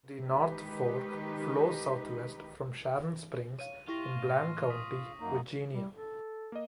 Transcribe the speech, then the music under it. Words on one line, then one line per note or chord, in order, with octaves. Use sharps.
The North Fork flows southwest from Sharon Springs in Bland County, Virginia.
D#3 G#3 D#4 G4 B4
C#5 F5 D#7
E4 F4 G4 G5 C#6 A#6
A2
D#6 B6
F#2 A#3 D#4
G3
A4
A#3 D#5